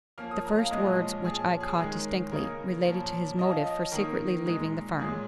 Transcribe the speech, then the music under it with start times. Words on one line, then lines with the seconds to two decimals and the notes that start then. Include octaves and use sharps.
The first words which I caught distinctly related to his motive for secretly leaving the farm.
0.18 F3 A#3 C#4 F6
0.31 D#6
0.45 A#5
0.58 F5
0.71 A#2 F3 G#3 C#4 D#5
0.79 F5
0.85 D#5
1.24 A#2 F3 C#4 G#4
1.60 G#4
1.79 D#3 G#3 C#4 A#4
2.32 C#3 A#3 D#4 A#4
2.85 A#2 F3 C#4
3.38 F3 C#4 D#5
3.51 F5
3.64 D#5
3.92 D#3 A#3 D#4 A#4
4.46 A#2 G#3 D#4
4.99 A#2 G#3 C#4 G#4